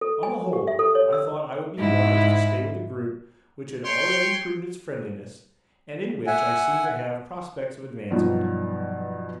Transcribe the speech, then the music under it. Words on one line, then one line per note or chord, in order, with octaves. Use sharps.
On the whole, I thought I would be wise to stay with a group which had already proved its friendliness, and in which I seemed to have prospects of advancement.
A4
G#5
G4
E5
A4
C#5
E6
G#2 E4
C#5 G5 C6
E5 F#5 G#5
G2 B2 F3 F#3 D#4